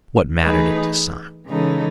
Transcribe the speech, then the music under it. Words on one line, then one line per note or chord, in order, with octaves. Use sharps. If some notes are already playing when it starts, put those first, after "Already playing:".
What mattered it to Simon?
E3 A3 D#4 G#4 B4
C#3 E3 G#3 D#4 A4